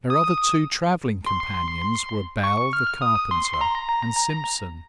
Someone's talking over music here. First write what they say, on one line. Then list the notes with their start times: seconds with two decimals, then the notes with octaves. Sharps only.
Their other two travelling companions were Bell the carpenter and Simpson.
0.10 D#6
1.26 C6
2.44 C#6
2.73 F6
3.02 D#6
3.31 C6
3.54 C6
3.61 A#5